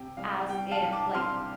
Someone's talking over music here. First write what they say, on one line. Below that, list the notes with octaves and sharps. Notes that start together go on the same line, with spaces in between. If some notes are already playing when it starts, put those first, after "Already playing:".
as if, like,
Already playing: C3 G5
C2 F5
G3 G5
F5 A5
C2
A5 D6
C3 C6 F6